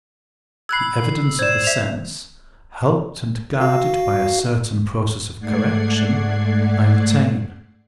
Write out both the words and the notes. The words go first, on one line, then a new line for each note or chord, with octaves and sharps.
The evidence of the sense, helped and guarded by a certain process of correction, I retain.
B5 E6 F#6 G#6 C7
C5 D5 G#6 E7
C5 E5 F7
F#4 F5
G#2 A3 D5 F#5 G#6 C7